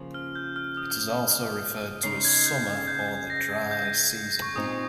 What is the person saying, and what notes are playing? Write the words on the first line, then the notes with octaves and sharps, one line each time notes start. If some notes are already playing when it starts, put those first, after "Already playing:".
It is also referred to as Summer or the Dry Season.
Already playing: C#3 F3 A#3 F4
F6
G6
F6
D#6
C#3 G#3 D#4 C7
G#6
G6
G6
G#6
A#6
G#6
G6
C#6
A#2 G#3 C4 D#4 D#6